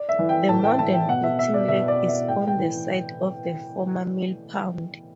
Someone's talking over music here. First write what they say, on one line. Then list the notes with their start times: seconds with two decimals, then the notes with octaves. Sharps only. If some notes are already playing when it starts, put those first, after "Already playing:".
The modern boating lake is on the site of the former mill pond.
Already playing: D5
0.09 E5
0.19 E3
0.29 G5
0.49 A2 A5
0.64 G5
0.79 E3 A5
0.93 G5
1.09 B2 F#5
1.23 E5
1.39 E5
1.54 D5
1.68 B2 E5
1.88 D5
2.08 E5
2.28 A2 G5
2.48 G5
2.58 E3